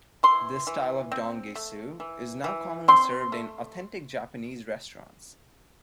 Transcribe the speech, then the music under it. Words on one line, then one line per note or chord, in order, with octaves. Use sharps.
This style of "don-gaseu" is now commonly served in authentic Japanese restaurants.
E3 C6
E3
C4
A3
E3
E3
C4 C6
A3